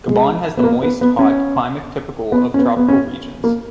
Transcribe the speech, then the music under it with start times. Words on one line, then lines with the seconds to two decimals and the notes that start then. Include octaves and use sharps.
Gabon has the moist, hot climate typical of tropical regions.
0.08 G#3
0.57 B3
0.64 A#3
0.83 B3
1.01 B3
1.19 C#4
2.32 B3
2.54 C#4
2.59 B3
2.77 B3
2.88 C#4
3.44 A#3